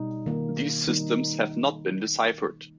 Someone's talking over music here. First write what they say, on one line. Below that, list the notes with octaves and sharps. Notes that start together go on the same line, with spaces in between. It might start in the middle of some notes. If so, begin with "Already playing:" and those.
These systems have not been deciphered.
Already playing: B2 G3 D#4
D#3 A#3
D#3 G3 A#3 D#4